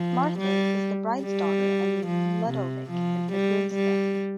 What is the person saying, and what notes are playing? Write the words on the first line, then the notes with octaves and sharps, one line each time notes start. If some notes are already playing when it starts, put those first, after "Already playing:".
Marthe is the bride's daughter and Ludovic is the groom's nephew.
Already playing: F3
G3
G3
F3
C3
F3
G3
G3